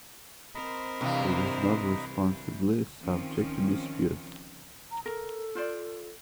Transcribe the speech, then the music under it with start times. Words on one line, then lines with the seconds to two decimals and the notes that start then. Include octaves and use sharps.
It is not reasonably subject to dispute.
0.55 C4 A#4 C5 D#5 A#5 B5
1.01 G2 C3 E3
3.01 D#3 F3 C4 C#4
4.91 A#5
5.06 A4 A#4
5.55 F4 C5 D5